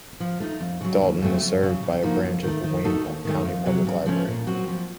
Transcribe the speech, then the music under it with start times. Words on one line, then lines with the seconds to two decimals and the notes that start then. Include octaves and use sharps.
Dalton is served by a branch of the Wayne County Public Library.
0.20 F3
0.40 A3 D#4
0.60 F2
0.81 C#3 F#3
1.01 D#2
1.21 C#3 F#3 A3 C4
1.42 F2
1.62 C#3 F#3
1.83 C#3
2.03 F3 A#3 D#4 F#4
2.23 F2
2.43 D#3 A3
2.64 D#3
2.84 A3 D#4 F#4 A4
3.05 D#2
3.25 D#3 A3
3.45 F2
3.66 C3 F#3
3.86 C#3
4.06 F3 A3 C#4
4.27 A#2
4.47 F#3 C4 F#4
4.67 F3